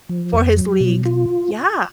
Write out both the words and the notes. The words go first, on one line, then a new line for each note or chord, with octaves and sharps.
for his league. Yeah.
F3
F2
F#3
B2
F4